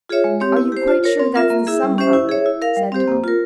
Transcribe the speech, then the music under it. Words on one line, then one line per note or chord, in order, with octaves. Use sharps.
"Are you quite sure that's the sum, father?" said Tom.
F4 G#4 C#5 E5
G#3
C4 G4 C#5
E4
G4 C5
F4
A#4 C#5
C4
F4 A#4 E5
A#3
E4 G#4 E5
G3
C#4 G4 C5 E5
E4
G#4 C#5 E5
E4
A#4 F5
G3
C4 G4 C5
A#3
F4 A#4